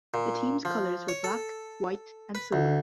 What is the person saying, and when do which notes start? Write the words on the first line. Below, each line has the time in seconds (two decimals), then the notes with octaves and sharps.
The team's colours were black, white and silver.
0.14 A#2
0.65 F3
1.08 C#5
1.24 A4
2.35 B4
2.53 D2